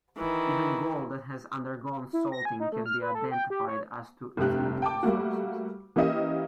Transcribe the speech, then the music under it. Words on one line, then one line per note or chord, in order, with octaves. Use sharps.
Even gold that has undergone salting can be identified as to its multiple sources.
D#3 E3
E4
A#6
G#5
D#4
A3
F6
B4
A4
G5
G4
C#5
F1 G2 C3 G4 F#6
G5 A5 D6
G3 A3 A#3 F#4
E3 A#3 C#4 G4 D#5 E5